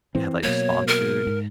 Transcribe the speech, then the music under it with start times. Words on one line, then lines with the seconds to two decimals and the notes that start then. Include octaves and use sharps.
you have, like, sponsored,
0.15 E3 C4
0.43 B2 F#3 A#3 C#5
0.88 A#4
1.27 G#2